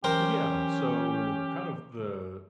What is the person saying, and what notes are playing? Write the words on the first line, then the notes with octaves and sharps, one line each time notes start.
Yeah, so, kind of the
E3 F#3 C#4 G4 A#4 C5 G5